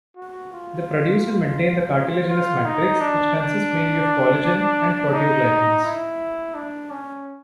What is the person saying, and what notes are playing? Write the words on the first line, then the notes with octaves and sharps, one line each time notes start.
They produce and maintain the cartilaginous matrix, which consists mainly of collagen and proteoglycans.
F#4
F4
F4
D#4
D4
D4
D#4
E4
D4
C#4